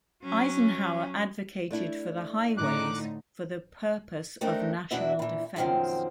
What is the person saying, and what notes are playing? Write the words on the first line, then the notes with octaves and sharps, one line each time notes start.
Eisenhower advocated for the highways for the purpose of national defense.
F#3 C#4
A3 D4 E4
A2 D3 D#4 D6 F#6
G3 A3 C4 D4 D#4 A#4
E2 B2 D4 E4 F#4 E5
A#2 E3
F#2 B2 D#3 F3 C4